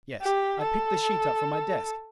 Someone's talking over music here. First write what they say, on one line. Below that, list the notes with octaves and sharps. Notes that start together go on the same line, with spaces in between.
"Yes." I picked the sheet up from my desk.
G4
A4